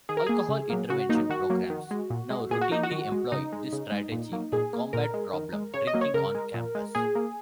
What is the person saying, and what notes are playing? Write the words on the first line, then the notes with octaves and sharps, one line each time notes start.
Alcohol intervention programs now routinely employ this strategy to combat problem drinking on campus.
D#3 G#4
A#4
A#3 G#4
C#3
F#3 A#3
C#3 F#4
F#3 A#3 D#4
D#3 F#4
F#3 A#3
D#3
G#3
A#2
G#3
A#2 G#4
F#4
A#3 D#4
F#4
D#3
G#3
C#3 D#4
G#3
C#3
G#3
A#2
F#3 A#3
A#2 G#4
A#3
A#2 A#4
G#3
D#3
G#3
C#3 C#5
D#5
F#3 A#3
C#5
C#3 A#4
G#3
A#2
G#3
A#2 G#4
A#3